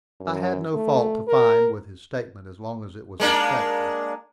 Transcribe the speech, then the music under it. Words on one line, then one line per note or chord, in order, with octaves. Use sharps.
I had no fault to find with his statement, as long as it was respectful.
F#2
A3
A#4
G#3 A#3 D4